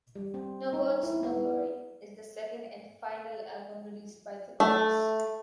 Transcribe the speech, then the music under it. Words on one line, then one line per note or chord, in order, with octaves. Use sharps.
"No Goats, No Glory" is the second and final album released by The Goats.
G3
C4
D#4
E4
B3
A3